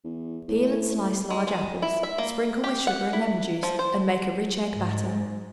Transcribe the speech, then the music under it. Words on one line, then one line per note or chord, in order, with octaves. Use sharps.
Peel and slice large apples; sprinkle with sugar and lemon-juice and make a rich egg batter.
E2
A2
G#3
G#3
E4
E5
A#3
G4
F#5
E4
F3
C5
G#2